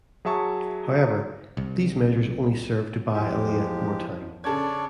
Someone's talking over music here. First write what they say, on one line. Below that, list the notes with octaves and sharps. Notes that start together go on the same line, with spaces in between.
However, these measures only served to buy Alia more time.
F#3 G#4 E5 A5 C#6
C2
E2 F3 G#3 E4 G4
C#3 C#4 D4 A4 C#5 D5 G#6